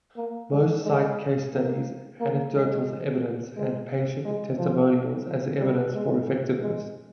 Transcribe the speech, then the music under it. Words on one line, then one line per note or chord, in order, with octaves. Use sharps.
Most cite case studies, anecdotal evidence, and patient testimonials as evidence for effectiveness.
A#3
G#3
G#3
A#3
A#3
G#3
G#3
G#3
F3
F3
G3
G#3
G#3